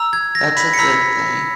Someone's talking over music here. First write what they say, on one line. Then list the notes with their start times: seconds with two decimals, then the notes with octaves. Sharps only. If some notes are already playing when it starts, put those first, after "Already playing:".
that's a good thing,
Already playing: A#5 E6
0.13 G#6
0.35 A#6
0.57 B5 B6
0.73 C#7
0.78 A#5 B5 E6 B6